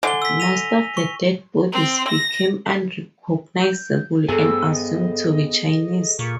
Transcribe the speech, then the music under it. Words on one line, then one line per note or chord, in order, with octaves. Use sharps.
Most of the dead bodies became unrecognizable and assumed to be "Chinese".
D3 G#5 G7
E6 B6
A#6 D#7 F7
C#6
C4
A#6
G6
G2 B3 G#4 A4 C5 G#5 E6
D#5
A#2 C#6